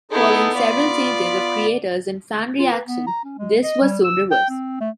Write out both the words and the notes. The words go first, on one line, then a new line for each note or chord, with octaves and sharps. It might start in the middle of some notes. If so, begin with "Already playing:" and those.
Following several changes of creators and fan reaction, this was soon reversed.
B3 D#4 E4 G#4 A4
B3 F4 D5 B5
F4
B4
B3
A#5
C#4
G#3
D#5
G3
E6
G5
C4
A3